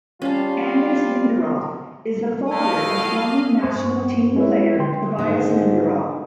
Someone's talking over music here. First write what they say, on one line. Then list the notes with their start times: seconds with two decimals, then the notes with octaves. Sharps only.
Anders Linderoth is the father of former national team player Tobias Linderoth.
0.22 G3 C#4 F4 A5
2.50 A3 E4 A4 D#5 F5
3.63 G2 C5 C#6
4.36 G#3 E4 B4 C#5 E5
4.79 D3 G5 C6
5.19 G#2 D3 D#3 A#3